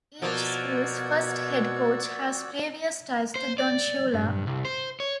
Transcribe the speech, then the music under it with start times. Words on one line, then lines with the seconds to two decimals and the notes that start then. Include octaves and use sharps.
Each school's first head coach has previous ties to Don Shula.
0.22 B2 F3 A#3 F#4 D5 F#5 E6 G#6
3.36 C5
3.58 D5
4.14 G2
4.47 C2
4.65 C5
5.00 C#5